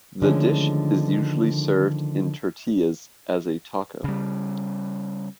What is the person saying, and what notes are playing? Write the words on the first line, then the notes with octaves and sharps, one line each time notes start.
The dish is usually served in tortillas as a taco.
D3 D#3 F3 G#3 A3 C#4
C#3 G3